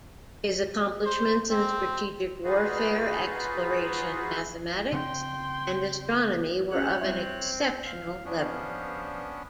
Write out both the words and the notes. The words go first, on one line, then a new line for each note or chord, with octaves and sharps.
His accomplishments in strategic warfare, exploration, mathematics and astronomy were of an exceptional level.
C5
C4
D#4 F4 F#4 G#4 B4
C#3 F3 C4 G5 C6
C#4 G#4 B4 C#5 F#5 F#6
G3 C4 E4 E5
F5
G2 F3 B3 C#4 D4 F5